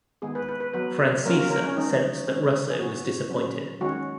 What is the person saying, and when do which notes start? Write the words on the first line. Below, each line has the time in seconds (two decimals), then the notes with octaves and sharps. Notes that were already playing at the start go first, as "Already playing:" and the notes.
Francesa sensed that Russo was disappointed.
0.22 D#3 G#3 B3 G#4
0.35 B4
0.49 B4
0.60 B4
0.74 F#3 B3 B4
1.25 F#3 A#3 C#4 A#4
1.38 A#4
1.51 A#4
1.64 C#4
1.76 E3 G#3 C#4 D#4
2.27 D#3 G#3 C#4
2.70 G#4
2.78 C#3 F#3 B3 F#4
3.30 F#3 C#4
3.81 D#3 G#3 C#4 F#4